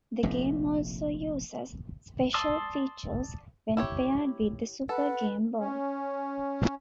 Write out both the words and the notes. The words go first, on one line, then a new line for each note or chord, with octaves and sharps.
The game also uses special features when paired with the Super Game Boy.
F1 A#1 A2
D5 A5 C6 D#6 E6
E4 G4 C#5
A4 B4 F#5
C#4